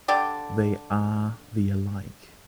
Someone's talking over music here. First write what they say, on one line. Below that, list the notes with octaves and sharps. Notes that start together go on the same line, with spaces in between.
They are the alike.
D3 G4 D5